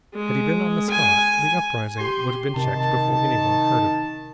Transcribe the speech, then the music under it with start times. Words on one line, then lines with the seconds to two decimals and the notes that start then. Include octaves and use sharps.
Had he been on the spot, the uprising would have been checked before any one heard of it.
0.14 G#3
0.90 G#5
1.98 G4 C6
2.56 C3 D#3 A5